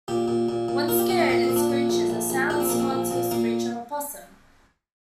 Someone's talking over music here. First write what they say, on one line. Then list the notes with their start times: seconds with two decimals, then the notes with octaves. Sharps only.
When scared, it screeches - a sound similar to the screech of a possum.
0.08 A#2 G4
0.28 A#2
0.49 A#2
0.68 A#2
0.88 A#2 A#4
0.99 G4
1.09 A#2 G4
1.19 C4
1.29 A#2 A#3
1.43 C4
1.49 A#2
1.56 D4
1.70 A#2
1.89 A#1
2.10 A#1
2.30 A#1
2.50 A#1 D4
2.60 C4
2.69 A#1 A#3
2.80 C4
2.91 A#1
3.11 A#2
3.31 A#2 A#3